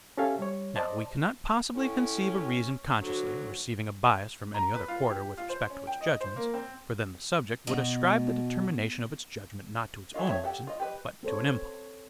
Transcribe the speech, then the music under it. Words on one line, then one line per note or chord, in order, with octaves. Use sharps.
Now we cannot possibly conceive a reason consciously receiving a bias from any other quarter with respect to its judgements, for then the subject would ascribe the determination of its judgement not to its own reason, but to an impulse.
C#4 G4 A4 E5 F5 G#5
G3 C#5
C5 D5 D#5 A5
A2 C#4
D2 F#3
A#5
B4
F4
G4
F4
C5
C#4
G5
D#5
C5
A#3
C4
B2
E3 F#3 A3 F4 D#5
F3 C4 C#5 E5
G4 A4 F#5
F4 D#5
G4 B4 D#5
C4 A4 C5 C#5